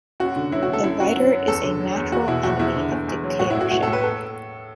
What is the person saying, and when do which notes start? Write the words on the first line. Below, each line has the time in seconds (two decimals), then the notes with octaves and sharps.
The writer is the natural enemy of dictatorship.
0.20 F#2 F#4
0.36 D3
0.52 F#3 E4
0.63 D3 F#4
0.73 A4
0.83 F#2 E4
1.00 F#2 F#4
1.16 F#3
1.32 F#2
1.48 E2 A4
1.64 D3
1.79 F#3
1.96 E2
2.11 E2 F#4
2.28 B2 E4
2.44 E2 F#4
2.59 E2 E4
2.76 D3
2.92 E2
3.08 E2
3.24 F#3
3.39 A2 F#4
3.50 A2 E4
3.61 F#4
3.71 A2 F#4
3.83 A2 A4
3.93 B4
4.04 A4